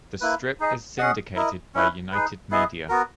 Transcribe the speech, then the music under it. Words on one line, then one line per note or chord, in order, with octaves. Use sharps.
The strip is syndicated by United Media.
A#3 E4 B4
D#4 G#4 D#5
C#4 G#4 D#5 F#5
E4 A#4 D#5
C#4 E4 B4
D#4 G#4 B4
B3 E4 G#4 D#5
B3 F#4 A#4